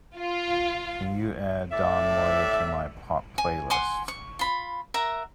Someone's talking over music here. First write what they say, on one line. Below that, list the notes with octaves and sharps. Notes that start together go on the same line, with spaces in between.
Can you add don moye to my Pop playlist?
F4
A2 D5 E5
G#5
F#5 G#5 C6 D6
C#6
F4 B5
A#4 E5 F#5 A#5